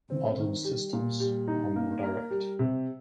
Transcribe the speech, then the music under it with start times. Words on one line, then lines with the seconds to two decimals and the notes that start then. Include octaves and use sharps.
Modern systems are more direct.
0.10 C4
0.38 D#3
0.64 G3
0.93 A#2
1.20 G3
1.48 D#4
1.76 A#3
2.03 A#4
2.30 G3
2.59 C3